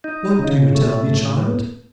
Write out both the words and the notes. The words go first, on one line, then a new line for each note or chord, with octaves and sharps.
'What do you tell me, child?'
D#4
C#3
A3
A2